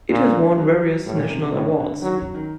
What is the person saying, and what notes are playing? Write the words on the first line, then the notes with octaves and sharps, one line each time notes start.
It has won various national awards.
A#2 D3
F#3
A2 G3
A#2
C3
C3
A2 D3
D3
D#3 F#3
F#3
D#3